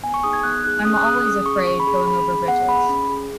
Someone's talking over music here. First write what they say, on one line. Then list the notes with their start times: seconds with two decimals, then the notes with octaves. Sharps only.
I’m always afraid going over bridges.
0.03 B3 G#5
0.14 C#6
0.23 D#4 G#4 D#6
0.33 G#6
0.43 B3 F#6
0.64 D#4 G#4 F#6
0.85 C#4 D#6
0.96 F#6
1.05 G#4 D#6
1.25 C#4 D#6
1.46 G#4 C#6
1.67 C#4 C#6
1.80 B5
1.87 G#4
2.07 C#4 B5
2.27 G#4
2.48 B3 F#5
2.69 G#4 B5
2.89 C#4
3.10 G#4